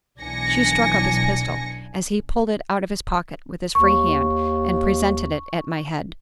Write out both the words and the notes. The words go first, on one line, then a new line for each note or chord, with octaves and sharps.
She struck up his pistol as he pulled it out of his pocket with his free hand and presented it at my head.
B1 E3 D4 G#5 A#6 C#7
D#2 C#6